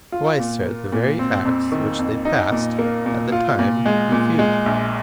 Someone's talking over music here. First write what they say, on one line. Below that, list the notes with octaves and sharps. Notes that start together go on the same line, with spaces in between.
Why, sir, the very acts which they passed at the time refute it.
F4
A#2
A#3
A#2
C4
F2
D#3
F2
D#4
A#2
A#3
A#2
F4
A#2
G#3
A#2
G#3
A#1